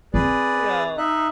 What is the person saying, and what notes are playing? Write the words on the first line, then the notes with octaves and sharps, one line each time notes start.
you know,
C4 G#4 B4 D5
D#4 E5 F#6